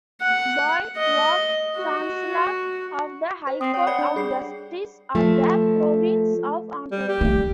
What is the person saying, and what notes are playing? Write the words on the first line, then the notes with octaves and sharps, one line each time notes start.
Boyd was Chancellor of the High Court of Justice of the Province of Ontario.
F#5
D#5
F#4
C5
C4 D#6 C7
C#5 G5
C#5 D5 F#5 B5
D4
G3 G#4 C7
F3 A3
G3
G4
G3 A3